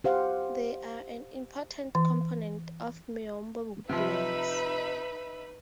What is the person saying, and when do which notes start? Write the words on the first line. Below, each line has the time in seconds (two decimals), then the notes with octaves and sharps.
They are an important component of miombo woodlands.
0.04 G4 C5 F5 F#5
1.95 E3
3.89 C3 F3 D#4 B4 E5 B5